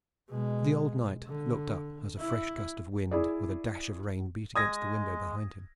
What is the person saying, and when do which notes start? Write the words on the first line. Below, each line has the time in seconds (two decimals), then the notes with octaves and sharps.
The old knight looked up as a fresh gust of wind with a dash of rain beat against the window behind him.
0.29 B2 G#3
1.27 D3
2.19 E4
3.11 E4 G#4 D5
4.56 G#3 D#6 G#6 A#6